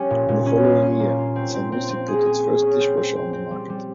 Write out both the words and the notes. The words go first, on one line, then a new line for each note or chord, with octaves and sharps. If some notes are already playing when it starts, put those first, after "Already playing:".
In the following year, Zanussi put its first dishwasher on the market.
Already playing: G3 C#4
A#2
A#2
C#4
F4
C#4
A#3
F4
C4
C4
C4
C4
G#4
G#4
G#4
C#4
C4
C4
C4
C4
G3
G3